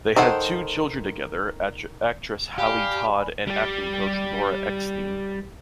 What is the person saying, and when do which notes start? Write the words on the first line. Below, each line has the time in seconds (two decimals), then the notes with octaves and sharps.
They had two children together, actress Hallie Todd and acting coach Nora Eckstein.
0.16 D#3 A4 C5 F#5
2.58 G4 D5 F5 G#5 B5
3.47 G3 G4